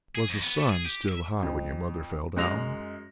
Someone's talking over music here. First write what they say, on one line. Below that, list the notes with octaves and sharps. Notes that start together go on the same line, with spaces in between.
"Was the sun still high when your mother fell down?"
G#4
F2
B3
A3
G#4
G4
E5
F2
F#2 G#3 F#6 A#6 F7